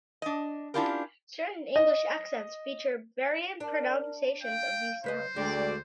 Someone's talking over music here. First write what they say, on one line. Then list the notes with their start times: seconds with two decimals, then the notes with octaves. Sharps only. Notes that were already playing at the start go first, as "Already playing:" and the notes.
Certain English accents feature variant pronunciations of these sounds.
0.22 D4 D#5
0.74 C#4 D4 E4 F4 G4 A#4
1.76 D#5
3.60 D4 A#4
4.43 F5 G5
5.04 C#3 B4 C5 D#5
5.36 D2 G#3 D5 G5